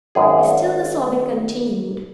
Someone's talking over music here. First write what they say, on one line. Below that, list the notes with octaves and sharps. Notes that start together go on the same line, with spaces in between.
Still the sobbing continued.
G#1 F#2 G#4